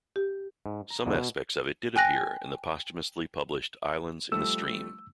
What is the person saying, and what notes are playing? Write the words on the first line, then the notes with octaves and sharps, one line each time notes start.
Some aspects of it did appear in the posthumously published "Islands in the Stream".
G4
G#2
A#5
E2 G#2 B2 D3
B2
G5 G#5 F#6 A#6
F3 G3 A3 E6